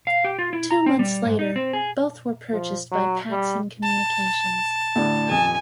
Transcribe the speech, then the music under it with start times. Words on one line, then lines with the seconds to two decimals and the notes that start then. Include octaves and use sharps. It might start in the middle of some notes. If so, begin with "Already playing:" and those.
Two months later, both were purchased by Paxson Communications.
0.07 F5
0.24 G4
0.39 F4
0.53 E4
0.71 A#5
0.86 C4
0.99 G3
1.26 G#2
1.39 D#4
1.56 C4
1.73 G#4
2.52 F3
2.91 F#3
3.31 G3
3.82 A5
4.95 D2 A2 D4
5.29 D#1 F2 G#5